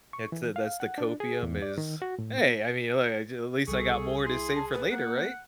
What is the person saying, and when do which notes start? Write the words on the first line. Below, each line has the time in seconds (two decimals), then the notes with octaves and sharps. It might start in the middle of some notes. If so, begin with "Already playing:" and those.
It's a That's the copium is, "Hey, I mean, look, I jus at least I got more to save for later, right?"
0.13 C#6
0.32 E3
0.56 F5
0.80 F#5
0.98 D4
1.20 G#4
1.43 E2
1.62 D5
1.78 D#3
2.02 F#4
2.19 A2
2.38 B3
3.68 C2 G3 G#4 A4 C#6
4.27 E4 C6
4.55 A5
4.72 B4
4.91 A#3 F#5